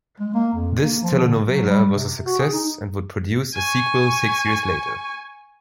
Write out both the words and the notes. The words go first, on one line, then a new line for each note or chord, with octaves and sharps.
This telenovela was a success and would produce a sequel six years later.
G#3
A#3
F2
A#3
F3
D3
F#3
G3
C3
F#4
G#4
D#4
G#5 C#6